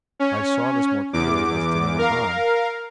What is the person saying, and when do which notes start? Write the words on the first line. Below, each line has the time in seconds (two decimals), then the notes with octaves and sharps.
I saw this more clearly as dinner went on.
0.19 C#4
1.13 E2 D6
1.98 A#4 F5